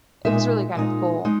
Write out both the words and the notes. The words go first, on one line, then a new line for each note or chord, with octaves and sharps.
it was really kind of cool.
A#2 G#3 D#4 E5
A#2 G#3 D#4
G#3 D#4